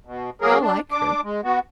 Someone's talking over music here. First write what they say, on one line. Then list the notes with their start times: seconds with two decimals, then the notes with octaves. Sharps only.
We all like her.
0.06 B2
0.41 F#3 A#3 G#4 A#4
0.61 D4
0.92 D4 D6
1.24 G#3
1.44 B3 F#4